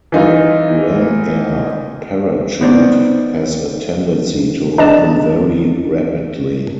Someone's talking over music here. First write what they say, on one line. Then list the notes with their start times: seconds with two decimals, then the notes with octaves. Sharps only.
A ram-air parachute has a tendency to open very rapidly.
0.12 E3 D#4 F4
2.61 B3 D#4 C5 D5
4.78 D4 D#5 A5